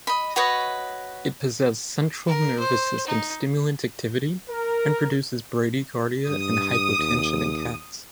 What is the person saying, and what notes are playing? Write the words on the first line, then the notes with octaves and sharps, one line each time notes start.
It possess central nervous system stimulant activity and produces bradycardia and hypotension in cats.
D#5 B5
F#4 B4 C#5 D#5
A#4
C5
D#4
A#4
G2 D#6
D#2